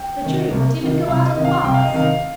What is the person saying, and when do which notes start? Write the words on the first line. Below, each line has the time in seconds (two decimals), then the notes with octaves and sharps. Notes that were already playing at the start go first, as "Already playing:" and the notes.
"The jury won't even go out of the box."
Already playing: G5
0.22 C3 D#3
0.51 C2
0.79 C3 D#3
1.08 C2 F5
1.26 D#5
1.35 C3 D#3
1.45 F5
1.63 C2 G5
1.74 F5
1.85 D#5
1.92 C3 D#3 F5